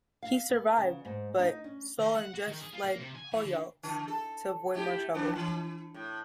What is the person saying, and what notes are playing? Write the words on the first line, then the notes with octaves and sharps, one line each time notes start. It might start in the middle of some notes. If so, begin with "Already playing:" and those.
He survived, but Sol and Jess fled Hollyoaks to avoid more trouble.
F5
B3
C#3
G#2
D#4
C#4
D#3
F#5
F#4
D#3
G#4
F4
A#3
C3
G#5
E3
D3
D3
A4
A3 E4 G4
D#3 F3 D4
E3
A2